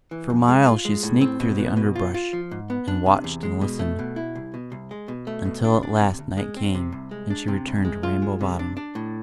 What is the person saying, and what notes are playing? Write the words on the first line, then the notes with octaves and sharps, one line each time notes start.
For miles she sneaked through the underbrush, and watched and listened; until at last night came, and she returned to Rainbow Bottom.
E3
F2
G#3
F4
G#3
A2
C4
B2
B3
B2
F4
F4
F3
G#2
B3
D4
C3
E2
G#3
B2
A3
B2
E4
C2
B2
C2
G#3
B2
A3
B2
D4
D4
C3
D2
G#3
C4
C3
C2
G#3
D4
C3
C2
G#3
F4
G#3
C3
D4
D4
A2